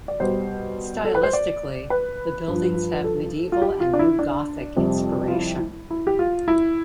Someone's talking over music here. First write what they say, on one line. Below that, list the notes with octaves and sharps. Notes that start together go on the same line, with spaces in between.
Stylistically the buildings have Medieval and New Gothic inspiration.
D5
B2 G3 C5
A4
B4
C5
D5
B4
G2 F3
B4
A4
F4
G4
F4
D4
E4
D4
F2 C3 G3
F4
E4
E4
G4
F4
E4